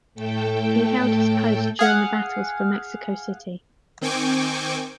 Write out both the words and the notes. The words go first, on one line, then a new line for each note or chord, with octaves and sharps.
He held this post during the battles for Mexico City.
A2 A3 A4 G5
G#4 F5 F#5
D#3 C4 G5 G#5 C#6 D6